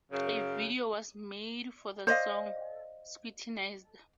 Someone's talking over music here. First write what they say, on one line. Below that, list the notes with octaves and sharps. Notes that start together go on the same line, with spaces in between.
A video was made for the song "Scrutinized".
F#2 C#3
C5 D5 D#5 F5